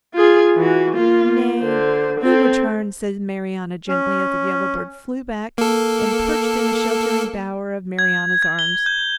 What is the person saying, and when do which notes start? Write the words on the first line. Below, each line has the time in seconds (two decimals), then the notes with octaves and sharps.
"Nay, he returns," said Marianna, gently, as the yellow bird flew back and perched in the sheltering bower of Marianna's arms.
0.15 F4 G#4
0.57 E3 F#4
0.94 A#3 F4
1.60 D3 C5
2.20 C4 A4
3.88 C#4
5.58 A#3 A4
7.99 G#6
8.42 G#6
8.59 G7
8.86 G6